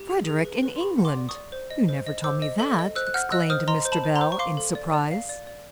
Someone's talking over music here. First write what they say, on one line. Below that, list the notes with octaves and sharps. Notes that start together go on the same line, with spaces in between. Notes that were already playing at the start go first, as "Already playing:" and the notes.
'Frederick in England! you never told me that!' exclaimed Mr. Bell in surprise.
Already playing: G4
G#4
G#4
B4
B4
C6
G#4 B5 C#6
F#5
C6 D6
D5
C#6 D#6
D5
C5
D#5
C5
D#5
C5 D6 E6
D#5
A4
D#5
C5 E6 F#6
F#6
F#5 F6 G6
D#5 E6 F#6
C5 D#6 F6
D#5 A#5 C6
C5
A5 B5
C5
A#5 C6
C5
C#6
F5 C6 D6
A4
D5
D5
F5
D5
D5